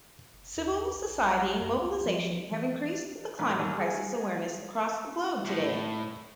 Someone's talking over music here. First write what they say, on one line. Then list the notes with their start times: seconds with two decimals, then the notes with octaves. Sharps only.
Civil society mobilization have increased with the climate crisis awareness across the globe today.
0.33 F#1
0.57 D#2
0.94 A#1
1.59 F#2
1.75 C#2
2.05 F3
2.51 E3
3.39 A1
3.59 D#2
3.80 G#4
5.45 A2